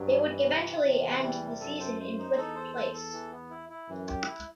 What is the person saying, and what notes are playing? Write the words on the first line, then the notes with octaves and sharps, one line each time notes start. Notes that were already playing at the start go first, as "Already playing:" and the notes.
They would eventually end the season in fifth place.
Already playing: G2 F#3
E3
E3
C3
C3
E2 C3
E3
G3
C3
F#2 A4
C5
C5
D#4
E2 A4
C5
A4
A4
E3
B3
E4
E4
F#2 E3
G4
E4